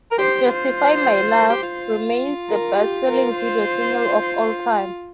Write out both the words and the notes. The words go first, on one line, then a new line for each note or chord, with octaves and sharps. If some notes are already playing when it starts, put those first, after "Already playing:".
"Justify My Love" remains the best-selling video single of all time.
A#4
G4 C5
F4 C5
A#4
G4
F4
A#4
G4
A#4
C5